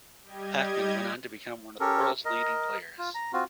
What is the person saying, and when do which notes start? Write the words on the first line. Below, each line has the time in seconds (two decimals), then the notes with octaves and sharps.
Pachman went on to become one of the world's leading players.
0.23 G3 G4 D#5 G#6
1.80 C#4 G4 A4 A#4
2.25 A#4 D#5
2.98 F4
3.15 A#5
3.33 C4 F4 F#4